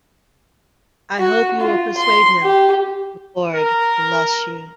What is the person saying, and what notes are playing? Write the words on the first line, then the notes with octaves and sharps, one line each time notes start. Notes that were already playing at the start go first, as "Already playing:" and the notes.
I hope you will persuade him, Lord bless you.
F#4
F4
C6
G4
A#4